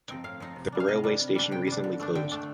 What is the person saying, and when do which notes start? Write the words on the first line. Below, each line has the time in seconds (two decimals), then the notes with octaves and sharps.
The rail way station recently closed.
0.08 F3 C4 D#4 G5
0.24 A2 F5
0.40 F3 C4 D#4
0.56 C3
0.72 G3 D4
0.80 F5
0.88 C3 D#5
1.04 G3 D4
1.20 C3
1.35 G3 D4
1.51 C3 G5
1.67 G3 D4
1.84 D3
1.99 A3 D4
2.15 D3 G5
2.31 A3 D4